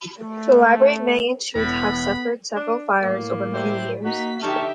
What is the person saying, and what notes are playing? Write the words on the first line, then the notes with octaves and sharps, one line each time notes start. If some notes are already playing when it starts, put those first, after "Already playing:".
The library may in truth have suffered several fires over many years.
A3
E1 A2 B3 B5
D4
A2 A#3
G4 C5 E5
A#3 D#4 F#4 B6
D3 D#4 G4 E5 A5 C#6 F6